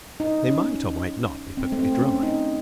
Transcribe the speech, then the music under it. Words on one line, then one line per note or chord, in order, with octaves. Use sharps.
They might or might not be perfectly dry.
D#4
C#4
C4
A3
C4
C#4
D#4